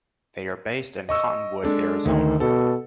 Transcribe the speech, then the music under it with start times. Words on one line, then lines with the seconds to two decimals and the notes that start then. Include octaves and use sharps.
They are based in Cottonwood, Arizona.
1.09 D#5 C#6 E6
1.63 G#3 D4 A4
2.05 D2 D#3
2.40 B2 A4